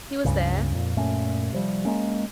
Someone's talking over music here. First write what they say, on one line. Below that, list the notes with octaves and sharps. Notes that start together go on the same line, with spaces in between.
He was there?
C#2 G2 C#3
F2 A#2
F#2 A#2 A3 C#4
C3 F3 G3
G#3 A#3 C#4